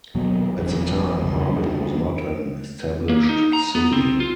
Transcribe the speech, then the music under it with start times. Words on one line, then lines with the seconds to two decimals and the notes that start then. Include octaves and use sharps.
At the time Harbin was not an established city.
0.15 D#2 B2 F#3 B3
0.57 G1 F2 D3
1.36 G2 C#3
3.09 A#3
3.29 D#4
3.53 A#5
3.75 B3
3.92 C4
4.20 F4